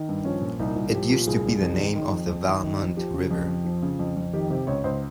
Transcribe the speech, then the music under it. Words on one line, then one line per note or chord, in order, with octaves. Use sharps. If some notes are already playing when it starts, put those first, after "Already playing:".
It used to be the name of the Valmont River.
Already playing: D#3
G2
F3 C#4
A#2
C2 D#4
C2
F3 G4
A#2
C2 G#4
C2
F2
D#3
D#3
F2
F2
D#3
D#3
F2
F3 G4
C#3
F2
F2
F3
C#3
F2
F2
D#3 G4
C3 G4
C#2 C#5
C#2 C5